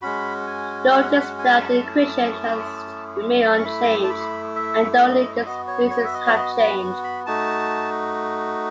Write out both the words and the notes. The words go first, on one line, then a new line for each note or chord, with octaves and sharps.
Notice that the equation has remained unchanged and only the spaces have changed.
G#3 C#4 F#4 B5
G#5
F#5
F#5
G#5
A5
A3 C#4 E4
C#6
A3 E4 B5
A5
B5
E5
D#5
B3 F#4 D#5
C#5
C#5
E5
D#5
C#5
D#5
B5
B5
A3 D#4 F#4 A5